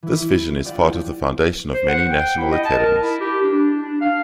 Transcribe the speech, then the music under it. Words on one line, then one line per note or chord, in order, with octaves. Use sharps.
This vision is part of the foundation of many National Academies.
E3 E4
D4 F4 G4 D5 F#5
C5
F#5
G5
E4
D#5
A5
A#4
E4
G4
D4
D4
F5